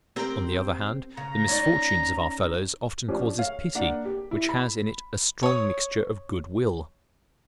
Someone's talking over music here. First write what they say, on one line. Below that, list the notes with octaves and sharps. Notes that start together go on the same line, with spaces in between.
On the other hand, the misfortunes of our fellows often cause pity, which has in it a strong mixture of good-will.
C4 G4 A#4
C#3 A#5
C#4 D#4 D5
F3 C#4 D4 G4
C#5 F5
A#3 D4 F#5
G4
E4
B5
C#5 D#6